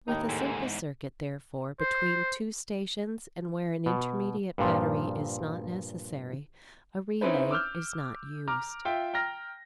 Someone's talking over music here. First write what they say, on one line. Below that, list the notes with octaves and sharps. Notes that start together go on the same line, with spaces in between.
With a simple circuit, therefore, between two stations and where an intermediate battery is not necessary, a relay is not used.
D#2 A2 D#4 G5 A#5
E2 G#2 G#3 G#4 A4
C5
B2
G2 A#2 F3
C4 C#4 D#4 E4 B4 C5
D6 E6 F6 G6
A#5 D6 F6
F4 E5 G5
G5 A#5 F6 A#6